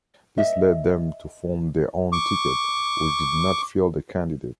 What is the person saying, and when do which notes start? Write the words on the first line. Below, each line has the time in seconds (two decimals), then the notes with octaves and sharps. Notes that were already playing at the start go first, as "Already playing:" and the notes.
This led them to form their own ticket which did not field a candidate.
0.38 D#5 E5
2.12 C#6 D6